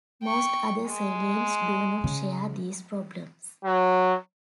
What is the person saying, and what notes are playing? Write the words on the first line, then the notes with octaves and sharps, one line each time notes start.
Most other surnames do not share these problems.
G5 C#6
G#3
C#3
F#3